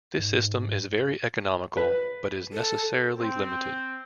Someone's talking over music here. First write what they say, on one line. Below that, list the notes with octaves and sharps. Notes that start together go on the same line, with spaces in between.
This system is very economical, but is necessarily limited.
G#2
B4
A4
C4